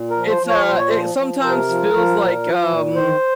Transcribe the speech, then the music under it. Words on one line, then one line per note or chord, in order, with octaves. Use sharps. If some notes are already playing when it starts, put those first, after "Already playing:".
It's, uh, it sometimes feels like, um,
Already playing: A#2
A#4
F3
C5
F3
C#5
A#2 C5
C#5
F3 C5
F3
C3 A#4
F3
F3
A#2
F3
A#2
D#3 C5